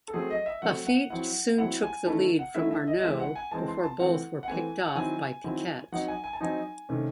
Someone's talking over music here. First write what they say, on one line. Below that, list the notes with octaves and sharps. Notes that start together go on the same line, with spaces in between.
Laffite soon took the lead from Arnoux before both were picked-off by Piquet.
A4
F#3 A3 C4 G#4
D#5
E5
F#3 A3 C4 F#5
F#5
F#3 C4 E4 F#5
F#3 C4 E4 F#5
G#5
D#3 A3 C#4 E4 A5
F#5
D#3 A3 C#4 E4 E5
E5
D#5
D#5
E3 G#3 C4 E5
F#5
G#5
E3 G#3 C4 A5
C6
A5
E3 A3 C4 F#5
F#5
E3 A3 C4 G#5
F#5
D#3 F#3 C4 E4 G#5
D#3 F#3 C4 E4
F#3 C4 D#4 F#5
G#5
G#5
A5
F#3 C4 D#4 G#5
C3 D#3 A3 C#4